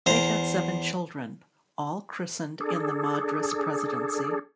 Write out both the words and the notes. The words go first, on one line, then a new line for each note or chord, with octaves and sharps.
They had seven children, all christened in the Madras Presidency.
E2 C5 A#5
D4 G#4 A4